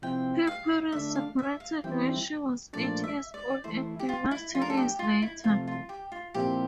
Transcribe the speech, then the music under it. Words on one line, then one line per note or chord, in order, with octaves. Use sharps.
Her parents separated when she was eight years old and divorced ten years later.
C3 F3 C4 E4 G5
F5
D3 A3 D4 E5
F5
E5
F5
E3 G3 C4 E4 G5
A#2 F3 A3 D4 D5
E5
D5
E3 A3 E4 C5
G4
F4
E4
F3 A3 D4 F4
A#4
A4
G4
F4
E4
C3 F3 A3 F4
F4
G4
F4
A#2 F3 C4 E4 G4